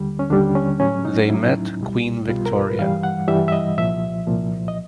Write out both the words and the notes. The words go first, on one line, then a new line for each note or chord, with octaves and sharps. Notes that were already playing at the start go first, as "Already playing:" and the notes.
They met Queen Victoria.
Already playing: D#2 D3 G3
C#4
D#2 D3 G3 D4
C#4
A2 F#3 C#4
D#4
A2 F#3 E4
C2 B2 G3
C2 B2 G3 F4
A#4
B4
G2 E3 G3 F5
F#5
G2 E3 G3 E5
E5
D#5
C2 A#2 F3 E5
C2 A#2 F3
D#5